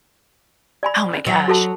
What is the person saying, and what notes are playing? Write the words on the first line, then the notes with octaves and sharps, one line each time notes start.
Oh my gosh.
D5 G#5 B5
F#3
F#4 A4 A5